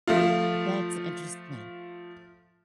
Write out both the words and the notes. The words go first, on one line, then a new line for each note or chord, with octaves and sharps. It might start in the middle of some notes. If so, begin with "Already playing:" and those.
That's interesting,
F3 A3 F4